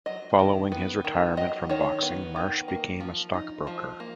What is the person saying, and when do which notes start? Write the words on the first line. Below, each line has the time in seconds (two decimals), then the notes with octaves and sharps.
Following his retirement from boxing Marsh became a stockbroker.
0.06 F#3 D#5
0.39 D#3
0.72 B3
1.05 D#3
1.37 F#3 D#5
1.69 D#3 C#5
2.02 B3
2.36 D#3
2.68 A#3
3.00 F3
3.33 D#4
3.67 F3
4.00 A#3